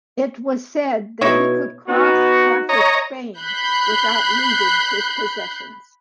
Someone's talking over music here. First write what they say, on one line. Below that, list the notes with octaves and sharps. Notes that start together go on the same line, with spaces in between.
It was said that he could cross half of Spain without leaving his possessions.
B2 D#4 E4 C#5
B3 D#4 F#4
C#5 D#5 A#5
B5 F#6 G6 C7